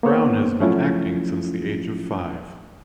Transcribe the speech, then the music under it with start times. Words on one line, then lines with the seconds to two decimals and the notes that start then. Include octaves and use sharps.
Brown has been acting since the age of five.
0.03 A#3 B3 C5 C#5
0.60 F3 F#3 A3 C#4 E4 F4